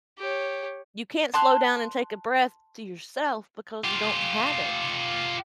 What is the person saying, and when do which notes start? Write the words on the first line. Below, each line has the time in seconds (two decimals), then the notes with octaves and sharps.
You can't slow down and take a breath to yourself because you don't have it.
0.18 G4 C#5
1.34 A5 C6 F#6
3.84 F4 G4